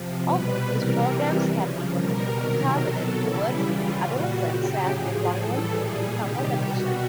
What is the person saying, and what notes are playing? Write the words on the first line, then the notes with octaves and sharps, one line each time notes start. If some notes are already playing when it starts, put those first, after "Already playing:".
Often, these programmes can be targeted towards adolescent self-employment during the summer vacation.
Already playing: C3 F3
B2 G3 B4
C3 E3 G3 A#4
C3 E3 G3
C#3 F3
B2 G3 A#4
C3 D#3 F#3
B2 F#3 A4
C#3 E3 G3 E4
C#3 E3 G3 F4
A#2 G3 F#4
C#3 F#3 G4
A2 F3 G#4
A2 E3 G3 A4
A#2 G3 G#4
C3 D#3 G3 G4
B2 G3 F#4